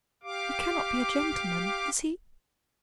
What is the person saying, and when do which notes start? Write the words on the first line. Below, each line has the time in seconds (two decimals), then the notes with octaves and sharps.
He cannot be a gentleman--is he?'
0.23 G4 F5 D6